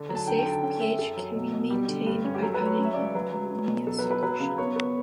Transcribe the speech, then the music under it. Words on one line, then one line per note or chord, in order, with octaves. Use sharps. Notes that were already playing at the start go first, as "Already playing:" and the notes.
A safe pH can be maintained by adding an ammonia solution.
Already playing: D3 D4
F#3
A5
D3 G5
G5
D3
A5
C#4 G5
C#4 E5
F#2 A4
F#3
B2
B2
G3 G4
D3
G2
C#4
G4
F#3 A4
B4
F#3
C#5
C#4
E5
C#3 D5
C#5
F#3 B4
F#3
C#4
B2
F#3 A4
B4
F#3
B4
F#3 B4
C#3
B3 C#5
B3